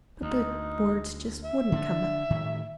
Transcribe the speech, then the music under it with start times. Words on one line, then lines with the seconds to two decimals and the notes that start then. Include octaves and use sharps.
But the words just wouldn't come.
0.22 D2 D#4
1.44 E5
1.72 D3 C#4 D4
2.30 A2 D#3